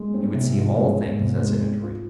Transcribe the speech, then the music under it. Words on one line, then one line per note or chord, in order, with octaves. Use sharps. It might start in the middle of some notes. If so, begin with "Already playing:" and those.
He would see all things as in a dream.
Already playing: G#3
G2 C4
C3
G#2
F3
G2 G#3
C4
G#2
C3
G#3
C4
F4